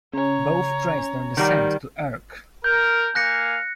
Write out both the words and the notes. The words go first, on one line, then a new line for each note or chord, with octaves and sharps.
Both trace their descent to Ercc.
C#3 C#4 C#5 A#5
C#4
D#3 G3 F#5 G5 A#5
A#4 G6
A#3 F5 G#5 F#6 A#6 C#7